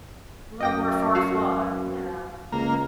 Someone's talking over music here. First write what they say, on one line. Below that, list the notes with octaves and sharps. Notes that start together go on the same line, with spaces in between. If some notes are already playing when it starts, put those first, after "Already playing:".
A little more far-flung, yeah.
F#2 D#5 G5 A#6
F#4 F5
C#2 A#3